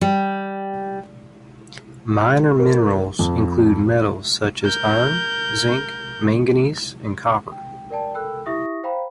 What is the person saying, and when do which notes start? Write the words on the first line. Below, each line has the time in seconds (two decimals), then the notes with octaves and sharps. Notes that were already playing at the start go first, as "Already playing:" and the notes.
"Minor minerals" include metals such as iron, zinc, manganese and copper.
0.01 G3
2.59 A#4
3.19 F2
4.62 A#4 G6
7.52 G5
7.90 A#4 D5 G5 A5
8.14 A4 A#4 G5 B5 E6 F#6
8.46 E4 G4 E5 C#6 D#6 A#6
8.83 C5 F5 G5 A#5 B5